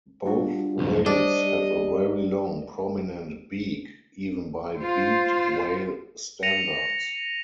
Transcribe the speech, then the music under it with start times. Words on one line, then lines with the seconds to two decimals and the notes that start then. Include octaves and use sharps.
Both whales have a very long prominent beak, even by beaked whale standards.
0.25 G3 D4 F4 F#4
0.79 B1 F2
1.06 G3 D4 C5 D#5
1.44 G4
4.79 F4 C5
6.43 A#6 C#7 D#7 F7